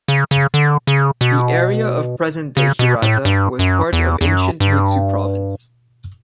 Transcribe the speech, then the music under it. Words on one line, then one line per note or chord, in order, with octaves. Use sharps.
The area of present-day Hirata was part of ancient Mutsu Province.
C#3
C#3
D3
C#3
B2
C#3
B2
A2
G2
F#2
E2
E2
F#2
G2